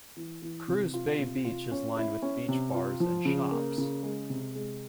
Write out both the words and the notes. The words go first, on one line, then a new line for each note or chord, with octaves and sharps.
Cruz Bay beach is lined with beach bars and shops.
E3
E3
C3
F4
C3
F4
C#4
E4
C#4
C3
F4
F3
C#3
A#3
C#3
G#3
C3
G#3